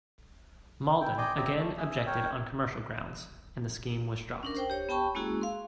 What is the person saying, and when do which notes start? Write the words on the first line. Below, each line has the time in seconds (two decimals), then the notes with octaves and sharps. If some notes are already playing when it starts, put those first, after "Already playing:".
Maldon again objected on commercial grounds, and the scheme was dropped.
1.01 E4 G5
1.18 D5 D#5 G5 G#5 C6 D6
1.37 C4 G4 E5 A#5
1.57 A3
1.77 G#4 E5
2.06 A#4 C#5 G5
4.43 C#4 D4 A#4
4.57 C5 G5
4.70 G4 C#5
4.89 B3 G4 G5 A5 B5 C#6
5.15 G#3 A#3 C#4 E4 F#4 G#4
5.41 F5 C6